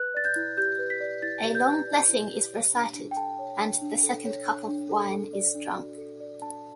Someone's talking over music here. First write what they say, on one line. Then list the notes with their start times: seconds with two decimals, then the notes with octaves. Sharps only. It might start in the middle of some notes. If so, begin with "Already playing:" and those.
A long blessing is recited, and the second cup of wine is drunk.
Already playing: B4 F#6
0.14 D5 A6
0.25 G6
0.36 E4
0.57 G4 G6
0.79 B4
0.90 B6
1.00 D5
1.22 E4 A6
1.44 G4
1.55 G6
1.65 B4
1.87 D5
2.09 E4
2.30 G4
2.52 C#5
2.74 D4
2.95 D4
3.11 G5
3.16 A4 A5
3.39 C#5
3.60 D4
3.82 D4
4.03 A4
4.25 C#5
4.46 D4
4.68 D4
4.89 A4
5.11 A4
5.33 D5
5.55 D4
5.77 F#4
5.98 A4
6.20 D5
6.42 D4 A5